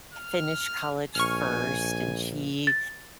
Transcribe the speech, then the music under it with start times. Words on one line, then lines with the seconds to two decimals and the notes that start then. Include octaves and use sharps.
finished college first, and she
0.13 F6
1.15 A#1 G#5 C#6 F6
2.67 A6